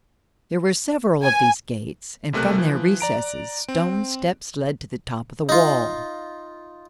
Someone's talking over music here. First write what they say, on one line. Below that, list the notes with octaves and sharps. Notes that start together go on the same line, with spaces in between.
There were several of these gates, and from their recesses stone steps led to the top of the wall.
G#5
B1 C3 A3 A#4 F#6
E3 F3
D5 A#5 D7
C4
D#4 F4